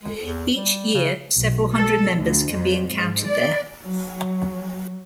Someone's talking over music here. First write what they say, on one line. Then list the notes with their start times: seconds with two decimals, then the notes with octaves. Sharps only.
Each year, several hundred members can be encountered there.
0.03 G#3
0.20 E2
0.55 G3
0.94 C#3
1.36 B1
1.74 A4
2.15 D2
2.52 F2
2.92 G#2
3.26 D5
3.84 F#3